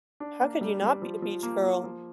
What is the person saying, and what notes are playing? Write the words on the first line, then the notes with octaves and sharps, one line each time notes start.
How could you not be a beach girl?
D4
A#3
G3
G3
F3
F3
A#3
A#3
F3